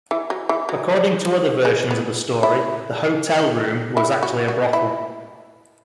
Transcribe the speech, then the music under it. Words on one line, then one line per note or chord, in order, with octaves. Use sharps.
According to other versions of the story, the "hotel room" was actually a brothel.
E3
F#3
E3
F#3
G#3
B3
E4
E4
F#4
F#4
E4